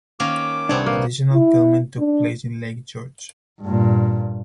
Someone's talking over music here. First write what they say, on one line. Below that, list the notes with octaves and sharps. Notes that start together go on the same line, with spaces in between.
Additional filming took place in Lake George.
D#3 A#3 C#4 D6
C2 B3 C4 D4 C#5
A#3
E4
D4
G2 A#2